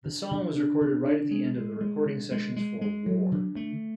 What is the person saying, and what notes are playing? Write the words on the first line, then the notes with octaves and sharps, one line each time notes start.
The song was recorded right at the end of the recording sessions for "War".
D3
D3
D4
D3
D4
G#3
G#3
G#3
D3
G#3
G#3
G#3
F#3
D3
A3